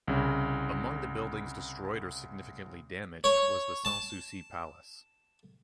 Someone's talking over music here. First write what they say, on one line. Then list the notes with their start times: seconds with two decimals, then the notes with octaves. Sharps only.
Among the buildings destroyed or significantly damaged was the Sans-Souci Palace.
0.07 C2 C#3
3.24 C#5
3.85 A5